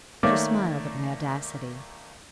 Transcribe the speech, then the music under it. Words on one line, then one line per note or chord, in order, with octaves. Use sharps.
She smiled at my audacity.
D#3 A3 A#3 C#5 D5 D6